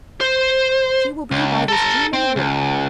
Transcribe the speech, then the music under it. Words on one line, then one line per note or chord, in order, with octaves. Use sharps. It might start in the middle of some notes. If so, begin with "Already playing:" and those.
She will be by the stream in the wood.
C5
C#2
A4 A#5
C4
C#2